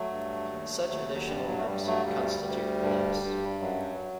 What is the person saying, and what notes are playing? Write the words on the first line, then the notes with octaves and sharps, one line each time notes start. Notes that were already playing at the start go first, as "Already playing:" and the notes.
Such additional marks constitute glyphs.
Already playing: F#3 A3
G2
D#2
D#2
F#3
G2 G3
F#3
A3
G2 G3
F#3 A3
D2 G3
D2
G2
G2
F#2 F#3